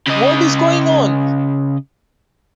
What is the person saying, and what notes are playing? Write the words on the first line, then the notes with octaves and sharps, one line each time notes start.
What is going on?
C#3 D#5